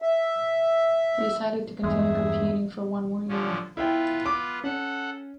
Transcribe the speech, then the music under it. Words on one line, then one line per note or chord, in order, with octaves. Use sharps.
He decided to continue competing for one more year.
E5
E2 G2 G#3 G#4 E5
D3 F3 C#4
B3 E4 F4 B4 G5
D6
C#4 A4 F#5